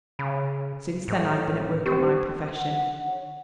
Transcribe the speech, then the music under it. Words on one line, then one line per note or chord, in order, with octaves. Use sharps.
Since then I've been at work at my profession.
C#3 B5
A2
C4 G4
F#5
C#5